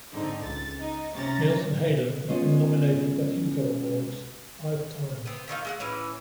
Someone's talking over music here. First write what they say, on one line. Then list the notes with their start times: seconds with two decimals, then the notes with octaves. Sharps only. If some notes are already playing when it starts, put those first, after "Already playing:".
Nielsen Hayden has been nominated for Hugo Awards five times.
0.11 G#2 D3 C4 D#4
0.43 C#2 A6
0.78 D#4
1.14 C3 C#4 A#5 A6
2.28 G#3 B3 C#4 F4
5.26 B3 C4
5.48 D3 D#3 D#4 F5
5.65 G#3 E5 F#5
5.80 A2 E3 C#4 B4